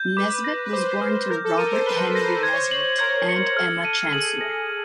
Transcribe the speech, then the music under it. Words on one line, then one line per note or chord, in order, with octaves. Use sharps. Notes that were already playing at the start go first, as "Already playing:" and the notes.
Nesbitt was born to Robert Henry Nesbitt, and Emma Chancellor.
Already playing: G6
B4 D6
A#6
B4
C5 D6
F6
A#4 G6
A4
A#4 D#7
C5
B4 G7
C5 A#6
C5 G#6
C#5
C5
F#7
A#4 G#6
C#7
A4 F6
D#7
G#4 F#7
A#6
F6